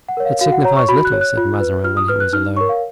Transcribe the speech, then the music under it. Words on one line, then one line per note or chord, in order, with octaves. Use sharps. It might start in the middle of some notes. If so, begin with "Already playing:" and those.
"It signifies little," said Mazarin, when he was alone.
F#5
A#4 C#5
F5
F#4 F5
F#5
C#5 A#5
C#6
F#4 B5
F#6
C#5
F#6
F4
B4
F4 F6
D#6
B4 F6
F#6
D#4 F6
A#4 C#5 C#6
F5